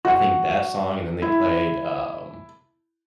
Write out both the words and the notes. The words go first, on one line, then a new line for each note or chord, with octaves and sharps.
I think that song, and then they played, um
F#4
E4